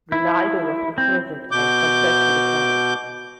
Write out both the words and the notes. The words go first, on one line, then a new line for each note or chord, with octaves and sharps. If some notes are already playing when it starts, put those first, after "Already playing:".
Rinaldo was imprisoned and confessed to the crime.
E4
C4
B2 D6 G6